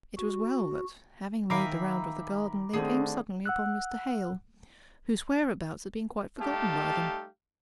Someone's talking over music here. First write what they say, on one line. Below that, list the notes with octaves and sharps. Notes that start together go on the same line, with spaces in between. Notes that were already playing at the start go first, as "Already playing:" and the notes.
It was well that, having made the round of the garden, they came suddenly upon Mr. Hale, whose whereabouts had been quite forgotten by them.
F#4
D#3 E5 F5 G#5 A#5 B5 D6
D3 D#3 A3 C4 G#4
F#5 E6 F#6
G3 A3 D#4 G4 F5 A5